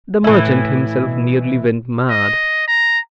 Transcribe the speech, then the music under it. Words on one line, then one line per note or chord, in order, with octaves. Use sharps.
The merchant himself nearly went mad.
A2 E3 E4
B2
D#5
A#5